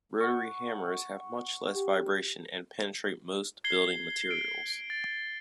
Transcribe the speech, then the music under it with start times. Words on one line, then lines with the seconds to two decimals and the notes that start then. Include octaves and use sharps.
Rotary hammers have much less vibration and penetrate most building materials.
0.21 F#5 C#6
1.74 G4
3.64 G#6 C7 G7
4.31 D7
4.90 A6